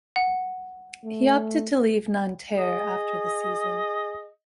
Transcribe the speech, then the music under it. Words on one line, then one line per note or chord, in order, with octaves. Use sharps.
He opted to leave Nanterre after the season.
F#5
A3
G#4 D#5